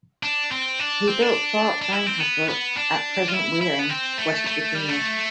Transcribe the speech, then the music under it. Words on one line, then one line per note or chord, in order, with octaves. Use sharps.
He built Fort Fincastle at present Wheeling, West Virginia.
D4
C4
D4
C4
D4
D4
E4
C4
B3
B3
D4
F4
E4
E4
B3
C4
A3
A3
G3
A3